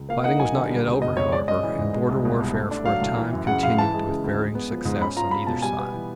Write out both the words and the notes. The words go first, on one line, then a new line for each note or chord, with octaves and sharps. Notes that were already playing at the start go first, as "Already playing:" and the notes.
Fighting was not yet over, however, and border warfare for a time continued with varying success on either side.
Already playing: C#2
A#3 F5
D#4 F#5
F#3 G#5
D3
G3
C#2
B2 D#5
C#2 C#5
G#3 D5
C#4 D#5
E3
G#2
G#3
C2
B2
C2
A3
D4
F#3 F5
A2
E3
F#2
C#3 F#5
F#2 F5
E3 A5
G#3
C#3
D2
G#3
B3
F3
G#2
C#4 B5
F4 A#5
G#3 B5
B2 A5
G3 G#5
B3
E3